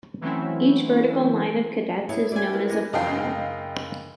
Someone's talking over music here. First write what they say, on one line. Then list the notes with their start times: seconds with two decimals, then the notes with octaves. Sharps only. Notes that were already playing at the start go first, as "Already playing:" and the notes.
Each vertical line of cadets is known as a file.
0.21 E3 F#3 A3 C4 C#4 E4
2.09 B3 E4 C#5
2.32 F#4 A#4 C5 D5 G#5
2.53 E4 A#4 B4
2.70 E2 A3 G#4 B4 A#6
2.93 F#1 D#5 F5 G5 C7